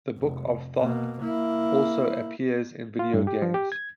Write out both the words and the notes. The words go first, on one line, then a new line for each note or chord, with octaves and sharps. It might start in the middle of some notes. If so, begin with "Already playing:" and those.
The "Book of Thoth" also appears in video games.
F1
B2 A#3
A#3 E4
F4
G2
G4
F3
G4
G#6